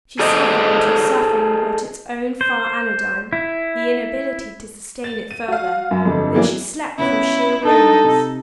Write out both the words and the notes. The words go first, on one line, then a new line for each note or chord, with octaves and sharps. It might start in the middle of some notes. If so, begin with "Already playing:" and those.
She suffered until suffering brought its own far anodyne--the inability to sustain it further,--then she slept, from sheer weariness.
G#4 A4 C5 D5 D#5
C5
E4
A6
D#7
F#4 F5
F#2
G1 F2
E3 F#3 A#3 F#4 G#4 D5
C#3 B3 C#4 E4
D4 D#4 A4
C3